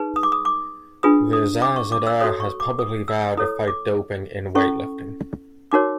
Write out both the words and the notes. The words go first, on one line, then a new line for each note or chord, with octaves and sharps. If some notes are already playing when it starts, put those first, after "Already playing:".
Rezazadeh has publicly vowed to fight doping in weightlifting.
Already playing: D#4 G#4 B4
D#6
D6
D#6
D6
D4 F4 G#4 B4 D#6
D#6
D6
C#6
D6
E6
F#4 A4 C#5 D#6
C#6
D6
D#6
E6
E4 A4 C#5 D#6
D6
C#4 E4 A4 C#6
D#4 F#4 A#4 C#5 D6